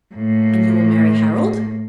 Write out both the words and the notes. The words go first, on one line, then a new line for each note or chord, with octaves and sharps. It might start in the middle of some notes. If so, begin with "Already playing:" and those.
'And you will marry Harold?'
A2 A#3